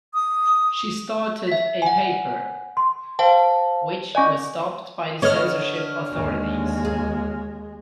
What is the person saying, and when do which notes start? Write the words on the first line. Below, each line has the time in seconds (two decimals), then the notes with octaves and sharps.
She started a paper, which was stopped by the censorship authorities.
0.14 D#6
1.48 E5 B6
1.82 F#5 G#5
2.77 C6
3.19 C5 F5 G5 A5
4.15 C#4 D5 D#5 G#5 C#6
5.22 D3 B4 C#5 D#5 F6
6.10 D#2 G#3
6.85 G#4